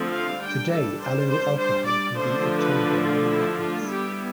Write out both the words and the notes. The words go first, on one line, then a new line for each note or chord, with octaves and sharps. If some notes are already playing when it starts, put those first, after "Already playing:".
Today allyl alcohol can be obtained by many methods.
Already playing: D3 F3 A3 C4
F5
G3 D4 G5
A4
C5
C5
C5
D5
D3 F3 A3 D4 C5
B4
F4
E4
F4
G3 B3 E4 G4